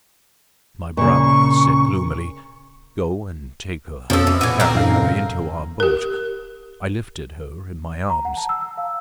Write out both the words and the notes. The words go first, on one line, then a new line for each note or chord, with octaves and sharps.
My brother said gloomily, 'Go and take her; carry her into our boat.' I lifted her in my arms.
A#2 C#3 C#6
F2 B2 F3 C#4 A4
E3
A#2 E3 F#5 G#5
C4 A#4
F#2 E3 D#4 A4 F5
C#3
G4 A#4
A#5
F#5
A5
E6
E6
F5